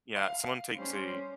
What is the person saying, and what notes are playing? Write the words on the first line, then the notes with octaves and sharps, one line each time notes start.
Yeah, someone takes a
F5
G3 C#4 C5